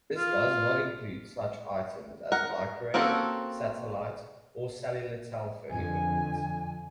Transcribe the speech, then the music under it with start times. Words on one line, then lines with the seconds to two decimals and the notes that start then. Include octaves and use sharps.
This does not include such items as microwave, satellite, or cellular telephone equipment.
0.17 F4
2.32 A#4 F#5
2.94 A#3 C4 C#4 F#4 A4
5.70 F2 D3 G#5